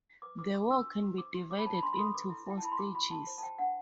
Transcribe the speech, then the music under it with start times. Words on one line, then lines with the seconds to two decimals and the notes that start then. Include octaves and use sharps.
The war can be divided into four stages.
0.22 B4 D6
0.38 B4 D6
0.54 F#4 D6
0.70 D4 E6
0.86 F#4
1.03 F#4
1.18 C5 D6
1.35 F#4
1.50 C5 D6
1.59 B5
1.66 C5 A5
1.74 B5
1.83 D4 C6
1.93 B5
1.98 A4 C6
2.14 B4 D6
2.30 E4
2.46 E4 G5
2.58 A5
2.62 E4 B5
2.72 C6
2.79 F#4 D6
2.95 F#4 B5
3.10 F#4 A5
3.27 C5
3.38 A5
3.42 C5 G5
3.58 D4 F#5